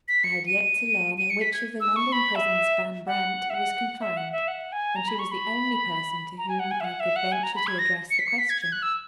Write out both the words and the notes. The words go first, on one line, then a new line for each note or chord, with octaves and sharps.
I had yet to learn in which of the London prisons Van Brandt was confined; and she was the only person to whom I could venture to address the question.
B6
C#7
D#7
D#7
C#7
B6
G#6
E6
C#6
B5
E5
F#5
E5
F#5
E5
F#5
E5
F#5
G#5
A#5
B5
C#6
B5
A#5
G#5
F#5
G#5
E5
F#5
E5
F#5
G#5
A#5
B5
G#6
A#6
C#7
B6
C#7
B6
G#6
G#6
F#6
E6